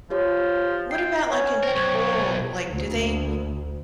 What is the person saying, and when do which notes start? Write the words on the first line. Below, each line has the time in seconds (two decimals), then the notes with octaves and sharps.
What about, like, in school, like, do they
0.10 F3 F4 G4 C#5
0.91 G5 C7
1.30 C#4 C#5
1.63 B1 A#4 C5 G5
1.75 B1 C#5
2.69 D2